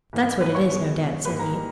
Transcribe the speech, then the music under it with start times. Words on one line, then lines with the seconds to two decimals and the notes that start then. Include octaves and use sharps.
"That's what it is, no doubt," said he.
0.13 G#2 E3 A#3
0.41 G#2 E3 A#3 B4 B5
0.55 C#5 C#6
0.70 B2 G#3
0.97 B2 G#3
1.25 G#2 G3 A#3 B4 B5
1.39 A#4 A#5
1.53 G3 A#3